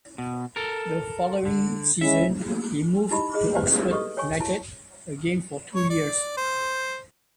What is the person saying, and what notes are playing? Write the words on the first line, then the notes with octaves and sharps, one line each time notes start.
The following season, he moved to Oxford United - again for two years.
B2
A4 A#4
D3
G#3 C#4 E4 E5
D#4 E4 G4 D#5 B5
G#4 D#5
G4 B4 C5 D5
G4 A4 B4 D#5 C#6 D#6
C#5 G5 G#5 C#6
E4 A5
C#5
D5
C5